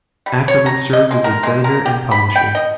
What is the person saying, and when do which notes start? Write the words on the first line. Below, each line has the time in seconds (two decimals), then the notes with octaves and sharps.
Ackerman served as its editor and publisher.
0.26 G3
0.48 C#5
0.66 A#5
0.93 D#5
1.11 G#3
1.24 A#4
1.43 G#3
1.64 A#4
1.86 G4
2.11 B5
2.36 G5
2.55 D#5